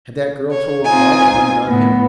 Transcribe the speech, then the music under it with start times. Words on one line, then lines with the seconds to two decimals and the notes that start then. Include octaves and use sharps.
Had that girl told all and undone him?
0.50 C#5
0.84 C4 D#4 F4 G#5
1.68 A2 B3